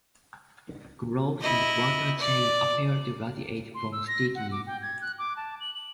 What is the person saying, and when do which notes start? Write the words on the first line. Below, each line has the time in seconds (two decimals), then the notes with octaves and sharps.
Grooves and crater chains appear to radiate from Stickney.
1.41 E4 D#5
2.19 D5
3.75 C6
3.92 E6
4.08 A#6
4.35 F#5
4.52 D6
4.67 G5
4.82 G#6
5.02 F#6
5.19 D6
5.37 A5
5.60 F#7
5.74 F#7